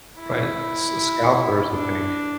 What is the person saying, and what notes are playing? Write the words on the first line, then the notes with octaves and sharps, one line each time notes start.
Right, s scalpers, I think.
E4
D4